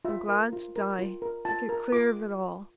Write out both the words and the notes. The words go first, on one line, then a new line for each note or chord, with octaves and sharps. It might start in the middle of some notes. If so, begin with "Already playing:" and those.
I'm glad to die--to get clear of it all.
F4 E5
A#4
F4
A#4
F4
A#4
F4 A5
A#4
F4 D6